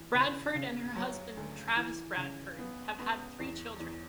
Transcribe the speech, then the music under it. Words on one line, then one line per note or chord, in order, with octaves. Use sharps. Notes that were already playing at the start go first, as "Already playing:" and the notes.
Bradford and her husband Travis Bradford have three children.
Already playing: E3
C#3
C#3
F#3
D2
E3
C#3
B3
B3
E2
E2